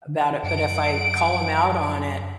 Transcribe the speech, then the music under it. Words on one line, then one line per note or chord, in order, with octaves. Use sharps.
about it, but if I call 'em out on it,
F#2 F#5 D7